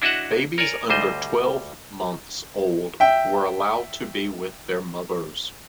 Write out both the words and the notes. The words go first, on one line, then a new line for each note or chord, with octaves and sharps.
Babies under twelve months old were allowed to be with their mothers.
D4 E4 F#4 D#5 E5 F#5
A#4 C#5 D5 G#5
D2 G3 C5 D#5
E5 G5